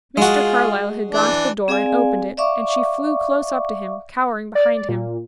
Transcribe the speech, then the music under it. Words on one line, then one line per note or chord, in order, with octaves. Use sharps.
Mr. Carlyle had gone to the door and opened it, and she flew close up to him, cowering behind him.
G#3 F4 F#4 G#4
E3 D4
C4 G#4 D5 F5 G#5
D5 E5 F5 C#6 D6
D5
A#2